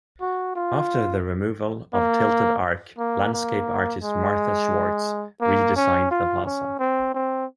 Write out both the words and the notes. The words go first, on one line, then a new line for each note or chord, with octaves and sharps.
After the removal of "Tilted Arc", landscape artist Martha Schwartz re-designed the plaza.
F#4
F4
A#3
A#3
A#3
G#3
A#3
C#4
F4
C#4
C4
C4